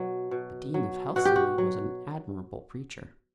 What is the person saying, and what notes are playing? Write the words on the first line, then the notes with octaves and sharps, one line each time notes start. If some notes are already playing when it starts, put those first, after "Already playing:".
The dean of Helstonleigh was an admirable preacher.
Already playing: B2 F#3
B2
F#3
B2 F#4
G4
F#4
F#3